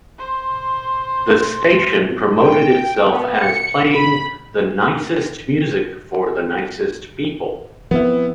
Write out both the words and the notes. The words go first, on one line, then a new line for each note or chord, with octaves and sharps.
The station promoted itself as playing The Nicest Music for the Nicest People.
C5 C6
G5
B3
C#7
B5
F3 B3 C4 E4